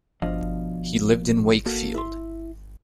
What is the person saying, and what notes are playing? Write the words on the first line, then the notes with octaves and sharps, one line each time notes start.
He lived in Wakefield.
B2 F3 D4 D5 D#5 F5
A#3 F#4 A4
E4 C6